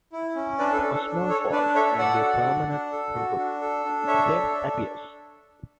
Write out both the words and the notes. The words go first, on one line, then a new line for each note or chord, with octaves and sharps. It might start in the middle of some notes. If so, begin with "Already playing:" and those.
A small fold, namely a permanent wrinkle, then appears.
E4
C#4
D4 B4 D5
A4
B4
A4
A4
D4
A4 C#5
D4 B4 D5
A4 C#5 E5
A4 D5 F#5
F#4
D4
D4
A4
F#4
D4
A4
D4
A4 C#5 E5
D4
A4